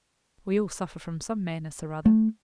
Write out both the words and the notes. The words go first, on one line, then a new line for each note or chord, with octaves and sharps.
We all suffer from some madness or other.'
A3